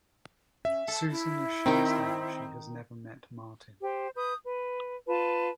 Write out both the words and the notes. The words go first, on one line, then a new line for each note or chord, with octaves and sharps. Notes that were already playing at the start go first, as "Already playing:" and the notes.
Susan assures them she has never met Martin.
C#4 E5
A4 A5
E4
D#3 C4 D#4 G5
G4 C5
B4 D#6 G6
B4
F4 B4 A5